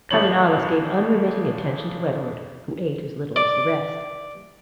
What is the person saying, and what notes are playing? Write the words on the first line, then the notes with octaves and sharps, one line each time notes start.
Cousin Alice gave unremitting attention to Edward, who ate as little as the rest.
D#1 A1 C#5 F#7
D5